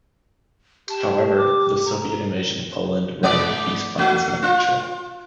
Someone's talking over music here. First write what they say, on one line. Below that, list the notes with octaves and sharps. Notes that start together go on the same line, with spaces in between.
However, the Soviet invasion of Poland rendered these plans ineffectual.
G4 A5
D6
A#5
G#3 B3 D5
A3 F#4
F4